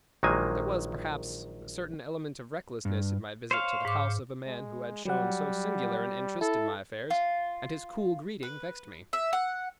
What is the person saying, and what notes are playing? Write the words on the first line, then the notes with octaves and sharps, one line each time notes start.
There was, perhaps, a certain element of recklessness in my visit to the house of a man who had shown so singular an interest in my affairs, and his cool greeting vexed me.
A#1 D#3 F#3 G#3 A#3 G#5
G2
C5 C#5 F5
G#2 D6
G#3
F#3 G3 F#5
E4 A4
F4
B4
E5
F#5